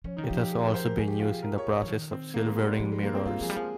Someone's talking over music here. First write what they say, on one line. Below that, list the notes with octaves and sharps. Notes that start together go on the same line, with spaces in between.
It has also been used in the process of silvering mirrors.
F3 C#4
D#3 D#4
G4
F4
F3
G4
G#4
A#4
C5
A#4
G#4
G4
F4
G#4
A#4
C#5
C#5
F3
D#3
C4
A#3
G#3
G3
G#3
F3 G3
G#3
A#3
C4
G3 F4
F3 G#4
G3
F3 G#4